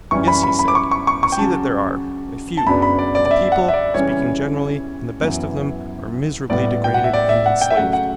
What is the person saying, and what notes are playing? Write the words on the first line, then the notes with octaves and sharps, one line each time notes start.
Yes, he said, I see that there are--a few; but the people, speaking generally, and the best of them are miserably degraded and enslaved.
F#2 E3 G3 C#4 C#6
B5
B5
B5
D6
C#6
C#6
C#6
C#6
G5
C#3 F#3 C#4 A5
A5
F#2 C#3 F#3 B3 D4 B5
B5
D5
D5
D5
E5
F#5
E5
D5
C#3 E3 G3 C#4 C#5
F#2 E3 B3
A2 G3 B3 D5
G5
F#5
E5
D5
E5
F#5
G5
E5
C#3 F#3 A3 F#5
F#5